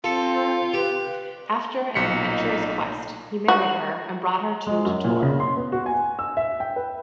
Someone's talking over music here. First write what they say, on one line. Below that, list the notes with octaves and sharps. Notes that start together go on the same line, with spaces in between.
After an adventurous quest, he married her and brought her to Chittor.
C4 F4 A4
G4 B4
B1 A#2 D#4 B6 C#7
F#4
G#3
F#2
A#2
C#3
C6
B3
F#4
G#5
E6
E5
G5
B4